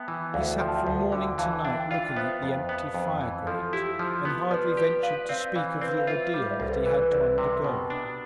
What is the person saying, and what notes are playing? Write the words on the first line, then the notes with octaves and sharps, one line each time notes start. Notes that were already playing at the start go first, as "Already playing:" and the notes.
He sat from morning to night looking at the empty fire-grate, and hardly ventured to speak of the ordeal that he had to undergo.
Already playing: B3 E5 G5 A5
E3
D2 D5 F5
F3 G5
A5
E5 G5
D2
D3
E3 F5 A5
D4 E5 G5
G5
F4 D5 F5
B3 C5 E5
F2 C5
B3
F2
E3
F3 A4
E4 G4
F3
B3
F3 B4 D5
G4 B4 D5
B4 D5 F5
C4 D5 F5
E3 D5 F5
C4 B4 D5
F5
F4 C5 E5
G3
E5
D5
C2 C5
A4
B4
E3 B4
B4 D5
C2 B4 D5
C3
B2
D4